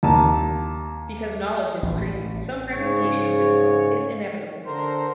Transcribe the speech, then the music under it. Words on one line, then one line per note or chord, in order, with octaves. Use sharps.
Because knowledge is increasing, some fragmentation of disciplines is inevitable.
D#2 A5
A1
G#2 C#3 C#5
D3 A#4 C5